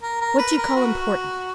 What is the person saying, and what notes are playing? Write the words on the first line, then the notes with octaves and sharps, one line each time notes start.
"What do you call important?"
A#4
A#4
B4
A#4
F#4